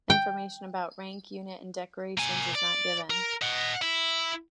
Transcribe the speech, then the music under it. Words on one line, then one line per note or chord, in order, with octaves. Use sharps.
Information about rank, unit, and decorations is not given.
G5
A#3 G#5
D5
A#4
D#5 F#5
E4